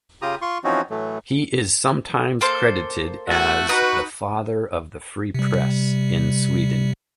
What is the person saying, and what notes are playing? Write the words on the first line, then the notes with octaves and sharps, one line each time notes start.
He is sometimes credited as the "father of the free press" in Sweden.
C#3 F4 G4 A#5 D#6
F4 C6 C#6
E3 F3 C4 C#4 D#4 F#4
A2 E3 F#3 A3
A#3 A4 C5
A3 F#4
D#4 F#4 B4 F#5 A#5
C3 G3